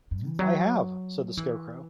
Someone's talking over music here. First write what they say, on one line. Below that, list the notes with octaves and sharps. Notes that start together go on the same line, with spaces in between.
"I have," said the Scarecrow.
F#2
E3
F#3
E3